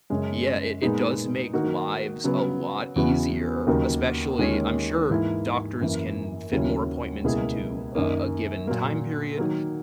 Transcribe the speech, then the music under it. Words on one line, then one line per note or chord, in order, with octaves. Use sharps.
yeah, it it does make lives a lot easier, especially I'm sure doctors can fit more appointments into, uh, a given time period,
F#2 C#3 G#3 C#4
A#2 G#3 B3 D#4 G#4
D#3 A#3 D#4 F#4
C#3 F#3 B3
E2 C#3 E3 B3 F#4
D#2 C#3 F#3 A#3 D#4
D#2 D#3 G#3 C#4 G#4
G#2 E3 A#3 E4
F#2 E3 A#3
D#2 C#3 F#3 C#4 E4
C#2 B2 A#3 E4 G#4
F#2 D#3 A#3
A#2 F#3 A#3
D#3 F#3 A#3